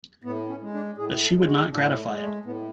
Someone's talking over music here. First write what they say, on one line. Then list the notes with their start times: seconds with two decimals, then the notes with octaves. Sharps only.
But she would not gratify it.
0.24 A2 B3
0.48 C#4
0.62 G#3
0.74 D4
0.97 A2 G#4
1.23 A4
1.34 G#3
1.47 F#4
1.71 A2 D4
1.96 A3
2.09 G#3
2.21 A3
2.45 A2 B3